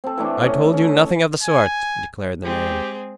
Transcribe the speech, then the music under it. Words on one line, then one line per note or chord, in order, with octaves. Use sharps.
"I told you nothing of the sort!" declared the man.
C4 A4
E3 A3 D4
C#4 D#5
C#4
G#5
G#3 C4 G4 G#4